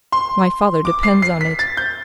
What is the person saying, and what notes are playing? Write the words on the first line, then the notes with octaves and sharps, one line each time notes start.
My father depends on it.
C6
D6
C7
C7
B6
A6
G6